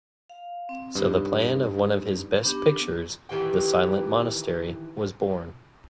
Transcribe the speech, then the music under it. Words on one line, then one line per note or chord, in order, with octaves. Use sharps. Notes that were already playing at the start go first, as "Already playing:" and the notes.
So the plan of one of his best pictures, "The Silent Monastery", was born.
F5
C4
G2 B3 D#4 D5
B3 D4 G4
D#3 E3 G4 G5